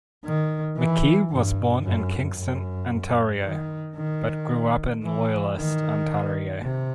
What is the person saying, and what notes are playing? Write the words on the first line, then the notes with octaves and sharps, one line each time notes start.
McKee was born in Kingston, Ontario, but grew up in Loyalist, Ontario.
D#3
E3
G2
F#2
F#2
D#3
D#3
E3
D#3
C3